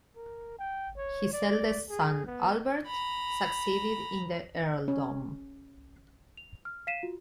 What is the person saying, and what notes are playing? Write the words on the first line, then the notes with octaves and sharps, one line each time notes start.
His eldest son Albert succeeded in the earldom.
A#4
G5
C#5
D5
G#4
B3
A#5 B5
C#4
F7
F6
F5 B6 C7 D#7 E7
F4 F#4